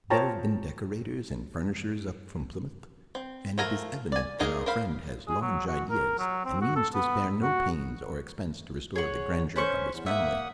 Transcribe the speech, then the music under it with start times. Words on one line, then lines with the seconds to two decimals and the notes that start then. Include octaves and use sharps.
There have been decorators and furnishers up from Plymouth, and it is evident that our friend has large ideas and means to spare no pains or expense to restore the grandeur of his family.
0.10 F4 C5 C#5 G5 A5 A#5
3.15 C4
3.58 F3 A3 A#4 G#5 A#5
4.12 D5 G#5
4.39 A#3 D#4 G#4 A#4
4.66 A#4 C5 F5 B5
5.28 G#4
5.41 F#3
5.67 F#4
5.90 A#4
6.19 F#3
6.45 C4
6.61 F#4
6.76 A4
6.94 B3
7.43 F#4
8.96 G#4 C#5 F#5
9.56 C#4 B4 C5 C#6
9.93 E2
10.06 A#3 E5 F#5 D#6